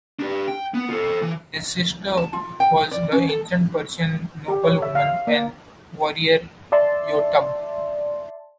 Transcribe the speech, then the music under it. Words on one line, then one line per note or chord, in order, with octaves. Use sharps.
His sister was the ancient Persian noblewoman and warrior Youtab.
D4 G4
G5
B3
F4 A4
E3
A5
F4
G5
D5
C#4
A4
G4
C#5
E5
F5
F5
A#3
D5 E5 A5 C6